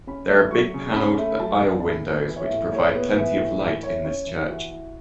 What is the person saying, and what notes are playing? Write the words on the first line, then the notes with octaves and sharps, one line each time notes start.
There are big panelled aisle windows which provide plenty of light in this church.
C#4 B5
A3
F#3 C#6
C#3
C#4 B5
A3
F#3 A5
C#3
A5
A2 B5
B3
E3 E5
C#5
E5
A2
A2 C#5
B3
E3 E5
A2
E3 E5
E4 C#5
C#4 C#5
E3
E3 F#4
E4